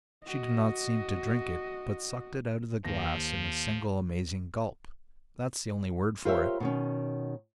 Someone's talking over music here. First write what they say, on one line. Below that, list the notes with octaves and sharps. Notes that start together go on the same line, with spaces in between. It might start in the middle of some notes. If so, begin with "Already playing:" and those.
She did not seem to drink it, but sucked it out of the glass in a single amazing gulp--that's the only word for it.
F#4 D#5
D#2 F3 A#6
F4 G4 A#4 C5 C#5 E5
B2 D#3 C#4